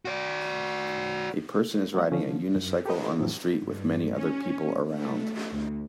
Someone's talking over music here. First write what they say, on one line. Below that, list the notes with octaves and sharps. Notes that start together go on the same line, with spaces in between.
A person is riding a unicycle on the street with many other people around.
F#4 D5
F#3 A3 F#5
D3 F3 C#4
F#2
G4 A4 B4 D#5
F2 A2 E3 F#3 C4
G2
C#4
A3
D2